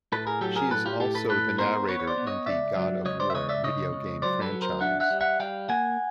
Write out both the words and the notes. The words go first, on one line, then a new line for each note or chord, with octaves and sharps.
She is also the narrator in the "God of War" video game franchise.
A2 A4 B4
G#4 A#4
F#3 G4 A4
G#4 A#4
A2 A4 B4
F4 G4
A2 G4 A4
A4 B4
A2 A4 B4
B3 A#4 C5
B3 B4 C#5
C#5
C5 D5
B3
C#5 D#5
C#2 D5 E5
F#3
C#2 C#5 D#5
C5 D5
E5
C#2 C#5 D#5
D5 E5
C#3 C#5 D#5
C#2
F#3 C5 D5
A4 B4
F#3
A#4 C5
D4 E5 F#5
E5 F#5
G3
E5 F#5
G3 F5 G5
A#3 F#5 G#5